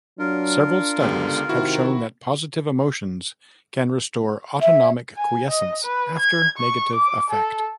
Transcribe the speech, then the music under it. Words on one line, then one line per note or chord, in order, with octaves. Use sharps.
Several studies have shown that positive emotions can restore autonomic quiescence after negative affect.
F#3 D4 F4 A#4
C#2 D3 B3 G4
C3 D#3 E4 F#4
E5
G#5
D#5
B4
G#6
C#6
D6
A4